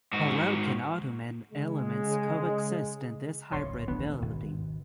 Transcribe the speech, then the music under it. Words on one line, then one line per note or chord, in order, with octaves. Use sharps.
Baroque and Ottoman elements coexist in this hybrid building.
G#2 F#4
C#3 G#3
D1 B1 A#2 C#5 C6
A1 D#2 D#3 B3 C#4 D4
G#1 B2